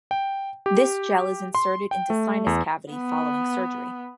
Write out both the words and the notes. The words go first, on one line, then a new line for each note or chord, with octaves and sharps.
This gel is inserted into sinus cavity following surgery.
G5
G4
C6
G5
A3
E2
B3